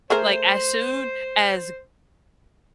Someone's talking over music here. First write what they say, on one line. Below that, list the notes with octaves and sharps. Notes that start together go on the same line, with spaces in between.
like, as soon as
A3 G#4 A#4 C5